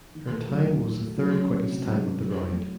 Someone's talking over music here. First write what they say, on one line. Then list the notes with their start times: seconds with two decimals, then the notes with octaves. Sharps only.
Her time was the third quickest time of the round.
0.15 D#3
0.32 A3
0.49 F#3
0.66 D#2
0.83 D#3
1.00 A3
1.17 F#3
1.33 C#4
1.51 A3
1.68 C3
1.85 F#3
2.01 C#4
2.19 F#3
2.36 G#2
2.53 A3